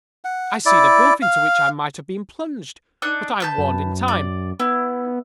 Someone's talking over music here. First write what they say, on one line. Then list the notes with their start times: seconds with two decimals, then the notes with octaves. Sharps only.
I see the gulf into which I might have been plunged; but I am warned in time.
0.25 F#5
0.66 E4 D5
1.22 F5
3.02 D4 D#4 F#6
3.40 B4 A5 G6
3.58 F#2
4.08 D5
4.60 B3 E4